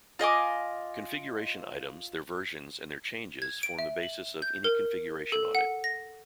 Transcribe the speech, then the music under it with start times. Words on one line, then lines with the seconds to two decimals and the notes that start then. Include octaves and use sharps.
Configuration items, their versions, and their changes form the basis of any configuration audit.
0.19 F4 D#5 G#5 D6
3.42 G#6
3.63 D7
3.79 E5
4.03 F#7
4.42 G6
4.64 A#4
5.32 A4
5.55 F#5
5.84 A#6